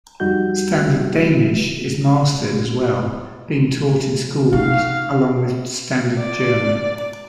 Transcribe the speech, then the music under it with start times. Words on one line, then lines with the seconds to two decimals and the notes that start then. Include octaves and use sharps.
Standard Danish is mastered as well, being taught in schools along with Standard German.
0.20 F2 G3 D#4 F#4 G6
4.53 C3 D#4 F#4 F5
6.19 D5